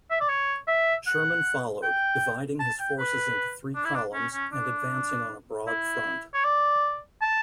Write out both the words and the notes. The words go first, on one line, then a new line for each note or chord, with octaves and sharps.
Sherman followed, dividing his forces into three columns, and advancing on a broad front.
E5
D5
C#5
E5
F#5
G5
A5
G5
B4
D4
E4
D4
C#4
C#4
D4
E4
C#5
D5
A5